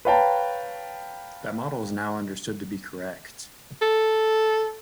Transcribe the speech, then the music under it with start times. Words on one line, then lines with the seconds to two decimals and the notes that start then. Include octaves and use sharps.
That model is now understood to be correct.
0.05 B4 C#5 F5 G5 A5 A#5
3.82 A4